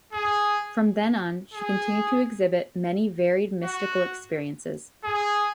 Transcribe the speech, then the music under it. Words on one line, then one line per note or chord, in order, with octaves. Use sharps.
From then on, she continued to exhibit many varied mystical experiences.
G#4
G#4
F#4
G#4